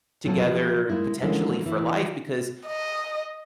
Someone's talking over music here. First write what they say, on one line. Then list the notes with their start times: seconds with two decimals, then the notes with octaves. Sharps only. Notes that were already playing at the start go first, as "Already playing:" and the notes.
together potentially for life because
0.25 A#2 F#3 A#3 C4 A4
0.44 C3 F3 G4
0.89 G#3 A#3 E4
1.21 D3 E3 F3 G#3 A#3 C#4
1.66 E3
2.67 D#5